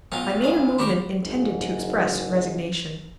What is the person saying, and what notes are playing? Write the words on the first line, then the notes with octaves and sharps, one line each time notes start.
I made a movement intended to express resignation.
B1 D#4 F4
C#2 G#4 D#5 F5
D#2 D#3 D4 G4 A#4 B5 C#6 D6
F#1 G#2